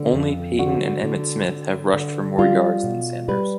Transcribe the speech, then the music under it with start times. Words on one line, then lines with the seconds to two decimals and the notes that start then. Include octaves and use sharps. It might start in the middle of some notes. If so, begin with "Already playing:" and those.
Only Payton and Emmitt Smith have rushed for more yards than Sanders.
Already playing: D3
0.14 F2
0.59 D3 F#4
1.04 D3
1.49 D3
1.94 D3
2.38 G3 F4
2.84 B2
3.28 G3 B4